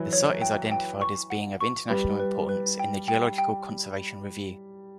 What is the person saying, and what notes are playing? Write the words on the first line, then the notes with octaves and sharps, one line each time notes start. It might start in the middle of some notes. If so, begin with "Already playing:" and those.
The site is identified as being of international importance in the Geological Conservation Review.
Already playing: E3 F#3
C#5
G5
G5
C#6
F#5
C#6
G3 B4
B4
B4
G5
G5
G5